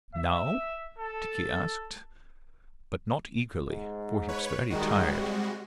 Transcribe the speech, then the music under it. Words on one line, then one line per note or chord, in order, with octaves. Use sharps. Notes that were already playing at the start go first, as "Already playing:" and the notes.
"Now?" Dickie asked, but not eagerly, for he was very tired.
E5
A4
G#2
B4 C#5
D#3 G3 G#3 F#4
C3